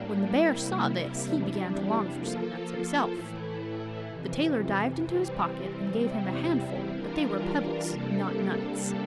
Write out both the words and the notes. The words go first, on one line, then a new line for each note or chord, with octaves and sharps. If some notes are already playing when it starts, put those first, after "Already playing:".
When the bear saw this he began to long for some nuts himself. The tailor dived into his pocket and gave him a handful, but they were pebbles, not nuts.
Already playing: A2 G3 A#3 D4
C3 G3 A#3 E4
E2 C3 E3 G3 D4
F3 A#3 F4 A4
A2 E3 A3 E4
F2 C3 E3
C3 E3 G3 C4
E2 C3 G3 C4 E4
E3 G3 D4 F4 A#4
C3 G3 A#3 D4 A4